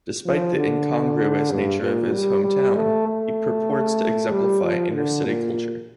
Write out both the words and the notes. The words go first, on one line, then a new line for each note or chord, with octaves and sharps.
Despite the incongruous nature of his hometown, he purports to exemplify inner city culture.
F3
D3
G2
A#2
G3
G3
A3
A3
G3
F3
D3
A#2